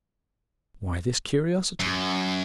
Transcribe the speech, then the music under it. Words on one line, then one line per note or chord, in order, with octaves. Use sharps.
Why this curiosity?
F#2